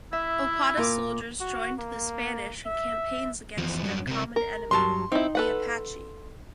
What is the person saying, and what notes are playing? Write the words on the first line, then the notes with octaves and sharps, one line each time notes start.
Opata soldiers joined the Spanish in campaigns against their common enemy, the Apache.
E4 E5
A#2 A#4 D6
F#4
A#3
E5
E2 F3
G2 F#3
C3 A#4
A#4
G2 F#3 A5 C6
C4 D#4 E4
A4 B4 F#5